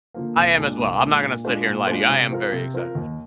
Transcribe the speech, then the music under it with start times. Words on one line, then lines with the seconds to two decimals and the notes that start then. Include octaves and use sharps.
I am as well. I'm not gonna sit here and lie to you. I am very excited as well.
0.14 D3 F3 A#3
0.36 C2
0.58 A#2 G#3 D4
0.79 C2
1.01 A#2 G#3 D4
1.22 A#2
1.45 G#3 D4 F4 C5
1.66 A#2
1.87 G#3 D4 F4 C5
2.08 C3
2.30 F3 C4 F4 A#4
2.52 C3
2.74 F3 C4 F4 A#4
2.95 D#2